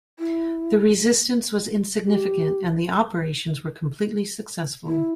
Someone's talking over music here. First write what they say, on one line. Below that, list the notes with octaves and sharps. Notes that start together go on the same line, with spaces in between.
The resistance was insignificant, and the operations were completely successful.
E4
G4
E4